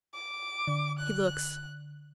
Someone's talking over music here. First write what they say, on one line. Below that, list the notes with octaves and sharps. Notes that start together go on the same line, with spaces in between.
He looks.
D6
D3
F#6